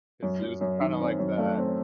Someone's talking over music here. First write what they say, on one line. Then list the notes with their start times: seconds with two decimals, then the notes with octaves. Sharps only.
'Cause it was kinda like that
0.23 F#2
0.42 F#2
0.61 F#2
0.80 D#3
1.00 C4
1.19 F#2
1.38 A3
1.58 C4